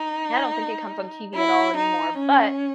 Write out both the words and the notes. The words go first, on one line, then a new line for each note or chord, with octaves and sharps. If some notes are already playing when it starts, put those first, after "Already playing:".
I don't think it comes on TV at all anymore, but
Already playing: D#4
E4
D#4
C#4